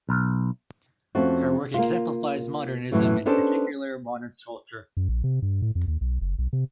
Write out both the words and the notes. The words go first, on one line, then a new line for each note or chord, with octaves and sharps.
Her work exemplifies Modernism and in particular modern sculpture.
B1
F2 A3 C4 C#4 F#4
A#3 F4
F#2 A2 E3 F#3
B3 C#4 D4 G4 A4 C5
F#2
A#1
C3
G2
A2
F2
D#2
B1
F#1
B1
C3